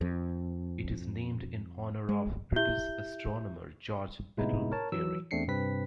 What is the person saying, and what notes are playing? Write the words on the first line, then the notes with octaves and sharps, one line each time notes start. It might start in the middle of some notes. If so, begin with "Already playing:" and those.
It is named in honour of British astronomer George Biddell Airy.
F2
G#3
E4 G4 E5 G6 G7
A2 C3 G#3 B3 D#4 E4
A#4 C#5 A5
E3 F#3 E6
E2 A3 C4 D4 C7 C#7
G2 C3 C4 B4 B6